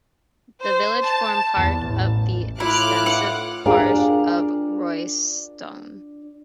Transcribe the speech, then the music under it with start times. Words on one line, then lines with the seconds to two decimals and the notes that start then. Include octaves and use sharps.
The village formed part of the extensive parish of Royston.
0.61 C5
1.01 A5
1.56 E2
1.84 A1
2.60 A2 E4 F4 D6 F6 F#6
3.06 F#5
3.66 D4 F4 G4 G#4 A#4 D5